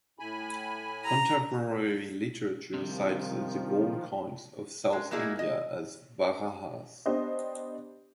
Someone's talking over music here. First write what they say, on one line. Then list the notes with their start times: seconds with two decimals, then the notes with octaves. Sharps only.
Contemporary literature cites the gold coins of south India as Varahas.
0.19 A2 G#5 B5
1.05 A#5
2.74 C3 D#3 F3 G3
4.93 G#3
5.11 F#3 A#3 D#4 E4 G#4
5.39 D#5
7.06 B3 D4 G4 C5 D#5